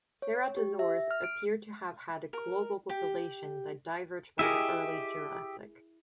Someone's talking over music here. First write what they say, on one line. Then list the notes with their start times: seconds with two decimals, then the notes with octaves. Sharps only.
Ceratosaurs appeared to have had a global population that diverged by the early Jurassic.
0.22 C#5
0.57 G4
0.79 E5
1.11 F6
1.24 D7
2.33 A#4
2.89 G4
4.39 E4 G4 G#4 A#4 D#5 E5